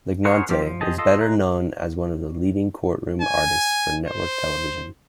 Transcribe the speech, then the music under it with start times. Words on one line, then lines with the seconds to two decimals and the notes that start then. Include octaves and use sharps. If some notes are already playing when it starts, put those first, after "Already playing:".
Lignante was better known as one of the leading courtroom artists for network television.
0.25 G#4 A#4 C5 C#5 F#5
0.49 F3 A#3 C4 F4 G4
0.66 F3
0.81 F3 G4 G#4 D#5 A5
0.98 F4 A4 D#5
1.21 G#3 A#5 F#6
3.22 G#5
4.07 C5